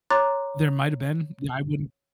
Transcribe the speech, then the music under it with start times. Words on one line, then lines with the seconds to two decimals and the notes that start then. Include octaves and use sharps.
There might've been, I wouldn't
0.10 C#5 A#5 C6 D6 F#6 A6